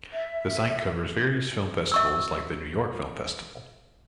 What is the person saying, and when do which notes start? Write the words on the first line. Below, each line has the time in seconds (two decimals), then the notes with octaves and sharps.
The site covers various film festivals like the New York Film Festival.
0.13 E5
1.92 E5 C#6 E6